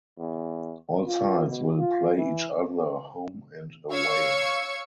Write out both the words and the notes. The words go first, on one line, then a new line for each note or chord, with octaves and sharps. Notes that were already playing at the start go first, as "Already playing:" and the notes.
All sides will play each other home and away.
E2
F4
B2
F4
E3
C#5 F5 C#6 E6 G#6 C#7